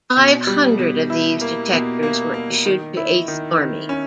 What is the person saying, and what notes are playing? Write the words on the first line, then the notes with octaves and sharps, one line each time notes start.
Five hundred of these detectors were issued to Eighth Army.
B2
G3
B2
E4
A#3
B2
A#3
A#3
D#3
E4
D#3
D#3
C#4